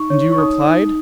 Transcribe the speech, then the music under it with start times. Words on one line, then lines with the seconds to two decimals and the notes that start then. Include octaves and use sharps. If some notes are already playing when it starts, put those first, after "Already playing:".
"And you replied?"
Already playing: D#4 C#6
0.10 C#5
0.32 C#6
0.38 D#4 D#6
0.67 D#4